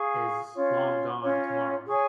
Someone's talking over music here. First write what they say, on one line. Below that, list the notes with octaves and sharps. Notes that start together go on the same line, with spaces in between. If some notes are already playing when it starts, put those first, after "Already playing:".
is long gone tomorrow.
Already playing: G#4 F5 C#6
C#4 F4 C#5
C#4 F4 C#5
G#4 C#5 G#5 C#6